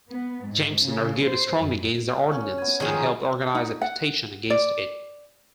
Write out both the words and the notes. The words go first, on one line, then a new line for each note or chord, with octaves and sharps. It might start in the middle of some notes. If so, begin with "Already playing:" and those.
Jameson argued strongly against the ordinance, and helped organize a petition against it.
B3
G#2
C#3
C5
F#2
C#4
B3 G#5
D#3 F3 G#4
D#4
F#5
D5